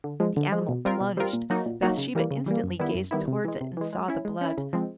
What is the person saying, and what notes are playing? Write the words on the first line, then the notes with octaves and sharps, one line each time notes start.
The animal plunged; Bathsheba instantly gazed towards it, and saw the blood.
D3
F3 G#3
D3
F3 G#3
B2
G3 C4 F4 A#4
B2
G3 C4 F4 A#4
A#2
F#3 A#3 D#4 F#4
A#2
F#3 A#3 D#4 F#4
C#3
E3 G3 A#3
C#3
E3 G3 A#3
F#2
D#3 G3 B3 E4
F#2
D#3 G3 B3 E4
C3
E3 G#3
C3
E3 G#3
G#3
C#4 E4
G#3
C#4 E4
C#3
F3 G#3 C4